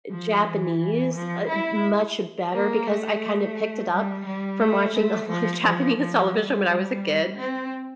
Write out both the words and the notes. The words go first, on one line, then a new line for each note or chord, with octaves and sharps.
Japanese, uh, much better because I kind of picked it up from watching a lot of Japanese television when I was a kid.
F3
E3
F3
E4
A#3
A3
G3
G3
A3
A3
F3
F3
F3
G3
C4